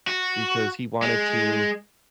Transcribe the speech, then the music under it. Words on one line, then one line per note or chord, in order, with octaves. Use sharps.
because he wanted to
F#4
G#3